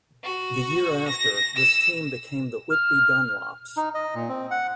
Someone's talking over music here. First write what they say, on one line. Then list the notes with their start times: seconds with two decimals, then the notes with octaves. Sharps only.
The year after, this team became the Whitby Dunlops.
0.23 F#4
1.07 A#6
1.56 E6
2.70 F6
3.77 D#4
3.94 D#5
4.15 A#2
4.29 C4
4.51 F#5